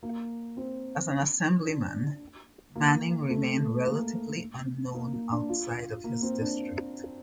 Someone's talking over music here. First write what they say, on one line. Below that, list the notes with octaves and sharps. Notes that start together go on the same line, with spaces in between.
As an Assemblyman, Manning remained relatively unknown outside of his district.
A#3
C4
D4
A#3
A3
A#3
A#3
A#3
D4
F4
A#3
C4
D4